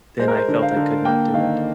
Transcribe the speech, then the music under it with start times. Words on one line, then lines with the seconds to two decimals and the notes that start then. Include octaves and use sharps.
Then I felt I could not do it.
0.19 G#3 C5
0.28 A#4
0.37 C5
0.48 D3
0.62 F5
0.76 D3
1.05 A#3 G5
1.34 D#3 F5